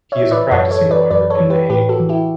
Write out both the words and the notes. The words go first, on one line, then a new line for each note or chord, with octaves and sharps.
He is a practising lawyer in The Hague.
C#5 E5
E3
B4 D5
F#2 A4 C#5
A4 C#5
E3
B4 D5
F#2 B4 D5
A4 C#5
E3
G4 B4
A2 G4 B4
F#4 A4
E3
E4 G4